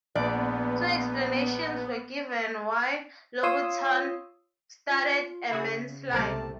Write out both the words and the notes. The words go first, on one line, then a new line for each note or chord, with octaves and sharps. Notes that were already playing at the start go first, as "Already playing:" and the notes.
Two explanations were given why Louboutin started a men's line.
A#1 B3 D5
F4 C#5 C6 D#6 E6
F4
C#3 E4 F#4 G#4
C2 C3 A3 A#4 C5 D5 A5